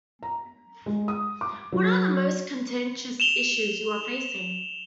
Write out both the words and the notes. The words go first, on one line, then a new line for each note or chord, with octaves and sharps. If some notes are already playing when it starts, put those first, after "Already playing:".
What are the most contentious issues you are facing?
A#5
G#3
D#6
D6
F#3
E7 F7 G7